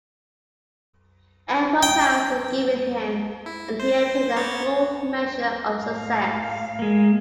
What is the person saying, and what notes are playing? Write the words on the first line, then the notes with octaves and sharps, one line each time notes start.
Ample powers were given him, and he attained a full measure of success.
G5
E4
C5
B3 C#5 A6
A2 A3 F5
G#3 A#3